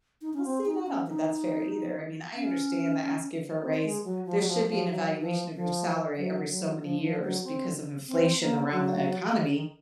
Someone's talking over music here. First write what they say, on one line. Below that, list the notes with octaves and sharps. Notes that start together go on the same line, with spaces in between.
Well see, and I don't think that's fair either, I mean, I understand that asking for a raise there should be an evaluation of your salary every, so many years because of inflation around the economy.
D#4
C#4
C4
D#4
C#4
D#4
C#4
C4
G#3
F#3
F3
F#3
F3
F#3
F3
F#3
F3
F3
F#3
F#3
F3
F3
F#3
C4
C4
A#3
F#3
D#3
D#3